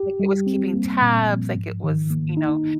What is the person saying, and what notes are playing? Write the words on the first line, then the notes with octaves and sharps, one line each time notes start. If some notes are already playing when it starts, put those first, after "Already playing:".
like it was keeping tabs, like it was you know,
Already playing: G4
G3
C4
A#3
A#2
F3
G#2
D#3
A#3
D#4